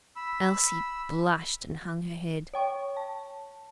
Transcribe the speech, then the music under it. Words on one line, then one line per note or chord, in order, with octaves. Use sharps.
Elsie blushed and hung her head.
B5 E6
C#5 G5 C#6
A5